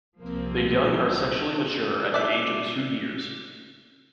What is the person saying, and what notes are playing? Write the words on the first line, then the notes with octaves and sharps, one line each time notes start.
The young are sexually mature at the age of two years.
C2 F3 A#3 C4
D5 E5